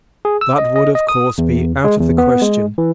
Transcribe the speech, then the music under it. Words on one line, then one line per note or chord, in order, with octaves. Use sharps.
That would, of course, be out of the question.
G#4
E6
D#5
D#5
D#5
D#6
E2
G#3
E2
B3
G#3
E3